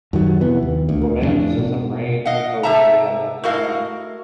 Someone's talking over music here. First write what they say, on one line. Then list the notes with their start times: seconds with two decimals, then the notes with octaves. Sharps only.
Romanticism reigned in poetry at that time.
0.13 F#2 D#3 F#3 G3
0.41 F2 C3 E3 B3
0.62 D#2
0.89 D2
1.20 A1 F2 B3 D4
1.59 B2
2.25 D#5 F5 F#5
2.63 C3 A3 E5 A5 A#5
3.44 A3 E4 F#4 A#4 D#5 F5